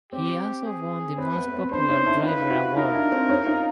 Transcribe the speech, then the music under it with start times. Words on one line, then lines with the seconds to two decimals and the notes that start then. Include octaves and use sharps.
He also won the Most Popular Driver award.
0.12 C4 G4
0.65 G#4
1.18 C4 B4
1.36 B3
1.48 B3
1.54 C4
1.71 C4 D4 C5
1.88 C#4 D#4
2.06 D4 E4
2.23 D#4 F4 B4
2.42 F4
2.50 E4 F#4
2.76 D#4 F4 A#4
2.94 D4 E4
3.12 C4 D4
3.29 C#4 D#4
3.46 D#4 F4